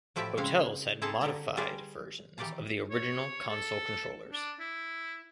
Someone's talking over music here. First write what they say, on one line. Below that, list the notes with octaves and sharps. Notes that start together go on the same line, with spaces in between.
Hotels had modified versions of the original console controllers.
A2 F3 E4 G4 D5 E5
C#3 G#3 C4 C#4 E4 F5
C4 E4 G#4 A4 A5 A#5
D3 G4 D5 A#5
G3 F4 G#4 A#4 B4 D5
D#3 E3 G4 D5 F5 A#5
C#5
A4
D4
E4